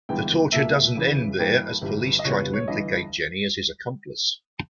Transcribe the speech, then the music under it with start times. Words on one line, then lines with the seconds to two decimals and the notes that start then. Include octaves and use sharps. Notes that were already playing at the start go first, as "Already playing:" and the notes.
The torture doesn't end there, as police try to implicate Jenny as his accomplice.
0.09 G1 G2 E3 G#3 B3 G5
0.52 C#2 B2 A#3 E5
0.96 E2 C#3 E3
1.38 G2 E3 A#3 G5
1.81 G1 G2 E3 G3
2.19 D#5
2.25 C#2 C#3 E3 G3 B3 C#5
2.39 B4
2.54 C#5
2.68 G1 G2 E3 D#5